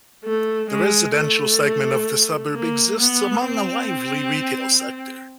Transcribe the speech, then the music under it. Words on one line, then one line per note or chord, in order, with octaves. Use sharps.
The residential segment of the suburb exists among a lively retail sector.
A3
G#3
A3
A#3
B3
C4